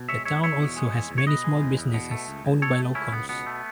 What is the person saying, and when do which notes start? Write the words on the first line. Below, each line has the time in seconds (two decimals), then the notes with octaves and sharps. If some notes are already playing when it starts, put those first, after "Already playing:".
The town also has many small businesses owned by locals.
Already playing: B2
0.09 G#3 C#5 E5
0.25 E2 C#5 E5
0.43 E2 C#5 E5
0.60 B2
0.77 G#3
0.94 E2
1.11 E2
1.18 C#5
1.27 B2 B4 D#5
1.44 G#3
1.61 E2
1.78 E2
1.94 B2
2.11 A3
2.28 C#2
2.45 C#2
2.62 B2 A4 C#5
2.78 A3
2.95 C#2 C#4 E4
3.12 C#2 B3
3.29 B2 B3
3.46 A3